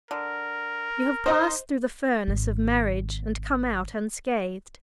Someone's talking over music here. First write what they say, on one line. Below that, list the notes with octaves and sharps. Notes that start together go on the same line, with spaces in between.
You have passed through the furnace of marriage and come out unscathed.
D3 A#4
D#4 C5 D#5
G#1 D#3